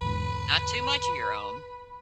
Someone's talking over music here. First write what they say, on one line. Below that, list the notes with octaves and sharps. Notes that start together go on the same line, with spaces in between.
not too much of your own."
E2 G#2 D3 B4